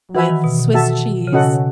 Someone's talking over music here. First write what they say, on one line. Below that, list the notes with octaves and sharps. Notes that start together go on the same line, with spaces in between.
with swiss cheese,
E3 F#4 B4 E5 G#5 B5
D#3
B2
B2
F#4 A4 E5 A5
C#3
B2 C#4 F#4 A4 D#5 F#5